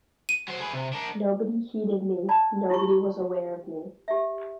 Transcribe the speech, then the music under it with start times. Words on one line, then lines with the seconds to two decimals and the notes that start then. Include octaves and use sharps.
Nobody heeded me, nobody was aware of me.
0.29 D#7
0.48 F#3 C5
0.60 G#4 B4
0.73 C3
0.93 D4 A#4
2.29 D5 A5 B5
2.70 E4 F4 G4 C#6
4.08 G4 E5